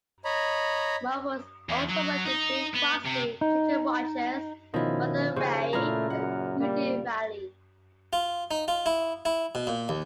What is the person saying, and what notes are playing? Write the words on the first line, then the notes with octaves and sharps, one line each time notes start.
Morros also worked with Bing Crosby, Ginger Rogers, Martha Raye, and Rudy Vallee.
C#5 D#5 A#5 B5
E2
F#3
D#4
B3
C3
D#4
B2 D#3 F3 C#4 E4 D#5
D#2 C#3 C5 G#5
A#2 A3 E4 G#4 A#5 F6
F#2 F#5
G3 A#3
F4
D#4
F4
E4
E4
B2
A#2
D#2